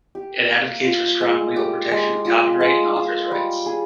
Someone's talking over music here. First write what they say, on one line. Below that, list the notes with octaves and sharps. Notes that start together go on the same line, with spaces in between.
It advocates for strong legal protection of copyright and authors' rights.
G4
A#3
F4
G#3
G4
G#3
F4
G#3
F4
G3
G#4